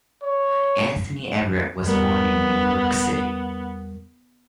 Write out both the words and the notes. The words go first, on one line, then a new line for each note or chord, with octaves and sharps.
Anthony Everett was born in New York City.
C#5
E2 G3 B3 A#4